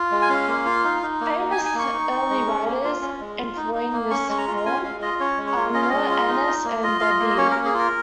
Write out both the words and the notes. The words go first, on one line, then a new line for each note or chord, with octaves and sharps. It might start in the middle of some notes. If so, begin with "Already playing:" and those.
Famous early writers employing this form are Mir Anis and Dabeer.
Already playing: F4
G#3
G#5
C#4 F5
A#3
F4
D#4
D#4
A#3
D#4
G#5
D#4
G#5
A#3 C#6
D#4
D#4
G#3
C#4
A#3
F4
C#4
G#3
F4
D#4
D#4
A#3
C#4 C#6
G#3 C#6
A#5
F4
A#5
C#4 G#5
G#3 F5
F4 D#5
C#4 C#5
G#3
C#5
F4
C#4 D#5
F5
G#3 D#5
F4
D#4
D#4
A#3
F4 D#5
F4 F5
D#5
A#3
D#5
C#4 C#5
A#4
A#3
G#4
F4 A#4